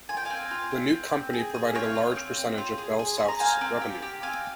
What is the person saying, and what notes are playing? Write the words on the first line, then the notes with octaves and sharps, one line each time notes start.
The new company provided a large percentage of BellSouth's revenue.
F4 G#5
G5
C4 F5 G#5
F4
C4
C4
C4
G#4
G#4
C4 C#5 F5
F4
C4
C4
F4
G#4
G#4
G#4 C6
A#5
C4 F5 G#5
C4
G4
G4
C4 F5 G#5